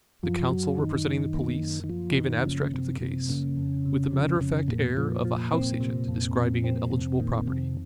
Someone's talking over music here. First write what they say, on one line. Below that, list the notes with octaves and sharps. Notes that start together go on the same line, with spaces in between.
The counsel representing the police gave an abstract of the case with the matter-of-fact air of a house-agent describing an eligible property.
F#2 F3
F#2 F#3
F#2 D#3
F#2
A#3
F#2
D#3
F#2 F3
C#3
F#2 D#3
C#3 F3
F#2 C3
F#2 C3
C#3 A#3
F2
C3
F3
F2 C#3
F2 A#2
A#2 F3
F3
C4
C3
F2
F2
C4
F2 C3
A#2 D#3
F2 C3